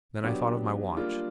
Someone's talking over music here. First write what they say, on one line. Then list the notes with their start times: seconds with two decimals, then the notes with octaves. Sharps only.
Then I thought of my watch.
0.24 F#3 B3 D4 G4
0.97 G3 A#3 D4 F4